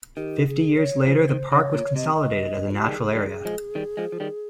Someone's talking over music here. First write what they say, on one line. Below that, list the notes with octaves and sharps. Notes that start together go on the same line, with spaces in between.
Fifty years later the park was consolidated as a natural area.
D#3 G4
G#4
C#5
C#3 F3 C5
D#3
C#3 C#5
A#2
C3 D#5
F4
G4
D#3 G3 G#4
D#3 G3
F3 G#3
D#3 G3
F3 G#3
F3
D#3 G3